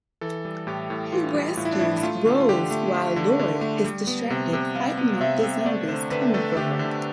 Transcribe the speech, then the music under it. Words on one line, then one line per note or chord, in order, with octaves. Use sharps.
He rescues Rolls while Loi is distracted fighting off the zombies coming for her.
E3 A4
G3
A2 G4
A2
E3 F4
G3
A2 F4
E4
D4
A2 E4
E4
A3 F4
D3
F4
D3 G4
A3
A3
D3
D3
A3
G3
B3
C3
C3
G3 F5
B3
C3 E5
C3
A3 D5
D3 C5
D3 B4
A3 A4
A3 G4
D3